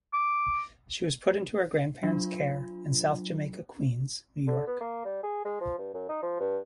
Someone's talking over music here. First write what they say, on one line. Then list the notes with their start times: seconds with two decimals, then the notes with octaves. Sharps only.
She was put into her grandparents care in South Jamaica, Queens, New York.
0.13 D6
2.03 F#3 D4 F4
4.48 D3
4.67 B3
4.81 A#3
5.05 G3
5.23 G#4
5.45 G#3
5.61 F3
5.78 G2
5.94 F#2
6.09 D#4
6.23 F3
6.40 G2